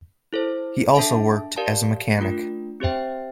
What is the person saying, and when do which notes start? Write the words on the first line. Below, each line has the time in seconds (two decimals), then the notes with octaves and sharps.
He also worked as a mechanic.
0.33 E4 A4 C5
0.95 D4 A4 E5 A5
1.56 G4 A#4 D5 F5 A5
2.18 A3 D4 F4 A#4
2.80 C4 G4 C5 E5 G5